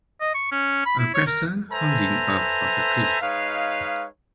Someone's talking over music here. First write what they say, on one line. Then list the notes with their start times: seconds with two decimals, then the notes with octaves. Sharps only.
A person hanging off of a cliff.
0.21 D#5
0.34 C#6
0.52 C#4
0.86 B5
0.99 E4
1.14 C#5
1.27 A#4
1.71 A4 B4 C5 E5 G#5 A#5
3.20 G#3 D#4 B4 C#5 F5